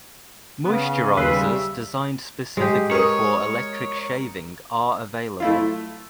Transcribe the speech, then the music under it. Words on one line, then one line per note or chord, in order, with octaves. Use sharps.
Moisturizers designed specifically for electric shaving are available.
C#3 B3
D#2 B4 E5 C6
G3
G#3 G4
A#4 C#5 D#6
A3 E4 F4